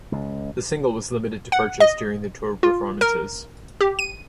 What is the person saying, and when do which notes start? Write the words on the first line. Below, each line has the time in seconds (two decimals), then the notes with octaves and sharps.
The single was limited to purchase during the tour performances.
0.12 C#2
1.52 F#5
1.80 D#5
2.63 F4
3.01 A#4
3.81 G4
3.99 D#7